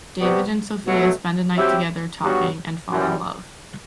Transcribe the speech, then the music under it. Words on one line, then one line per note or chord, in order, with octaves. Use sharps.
David and Sofia spend a night together talking and fall in love.
C3 G3 B3 F#4
B2 F#3 A3
F#3 C4 E4 G4
G2 F#3 B3 F#4
F#2 E3 G3